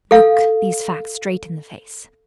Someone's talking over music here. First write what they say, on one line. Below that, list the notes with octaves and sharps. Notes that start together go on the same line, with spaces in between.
Look these facts straight in the face.
A4 F5